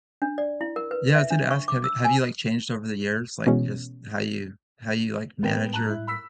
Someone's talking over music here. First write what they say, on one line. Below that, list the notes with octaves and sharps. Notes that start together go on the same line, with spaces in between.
Yeah, I was gonna ask, have you have you, like, changed over the years, like, just how you how you, like, manage your
D4
D5
E4
A#4
B4
E5
D4
C#6
D6
E6
G#5
B2 E3 G#3 C#4
A2 G3 G#3 B3 A#4 G5
A5 A#5 F#6
E4
B5 E6 B6